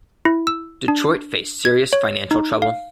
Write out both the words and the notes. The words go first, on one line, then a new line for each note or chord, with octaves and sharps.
Detroit faced serious financial trouble.
E4
E6
D4
G#6
C#5
D#4
F5